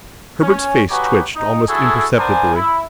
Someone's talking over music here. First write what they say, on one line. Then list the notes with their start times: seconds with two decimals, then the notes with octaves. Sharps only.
Herbert's face twitched almost imperceptibly.
0.41 C#4
0.89 D#4 F#4 G4 B4 C#5 G#5
1.34 D#4
1.68 D4 E4 F#4 G#4 A4
2.17 B3 D4 A#4 C5 G#5
2.54 E4